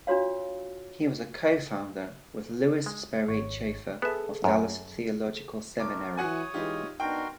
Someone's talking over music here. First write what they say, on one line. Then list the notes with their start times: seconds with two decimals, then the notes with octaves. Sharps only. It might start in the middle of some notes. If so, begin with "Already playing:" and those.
He was a co-founder with Lewis Sperry Chafer of Dallas Theological Seminary.
0.07 D4 F4 F#4 C#5 F5
2.86 G#3
3.28 G#1 C#5
4.02 B3 G#4 A4 E5
4.44 F#2
5.79 A3 A#4 D6
6.17 E3 F#4 C#5 F#5 G#5 D#6
6.54 E3 G#3 D#4 F4 G4
7.00 B3 D4 D#4 F#4 A#4 G5 C6